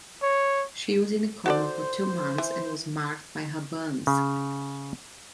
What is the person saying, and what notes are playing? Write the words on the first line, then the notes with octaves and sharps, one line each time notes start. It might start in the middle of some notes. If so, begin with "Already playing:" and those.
She was in a coma for two months and was marked by her burns.
C#5
F#4 A4 C5 D5
E3
C#3